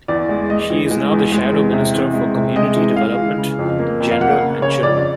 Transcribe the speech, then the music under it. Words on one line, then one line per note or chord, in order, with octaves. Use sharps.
She is now the Shadow Minister for Community Development, Gender and Children.
E2 D5
G#3
G#3 D#5
E3
G#3
E2
G#3
E2
C3
E2
G#3
C3
G#3 D#5
E3
G#3 F5
E3
C#3
F2
A#3
F2
F5
A#3 F#5
C#3
C#3 C#5
F2 D5